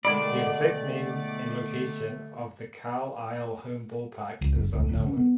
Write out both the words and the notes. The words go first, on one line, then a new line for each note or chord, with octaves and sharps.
The exact name and location of the Carlisle home ballpark is unknown.
B2 D3 D#3 G#3 A3 D5 B5 G#6
C#2
F#1
E1 C#2
D1 G1 C#2 A2
C3 C#4
B3